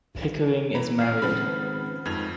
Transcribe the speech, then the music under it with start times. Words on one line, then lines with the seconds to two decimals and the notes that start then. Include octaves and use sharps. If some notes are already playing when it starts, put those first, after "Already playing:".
Pickering is married.
0.75 E3 A#5 B5
0.98 A1 F6 C7
1.22 G#1 C#3 F3 B3 B5
2.05 G1 F2 G#2 G#6 F7